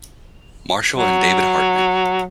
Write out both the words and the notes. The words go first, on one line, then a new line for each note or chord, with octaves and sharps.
Marshall and David Hartman.
F#3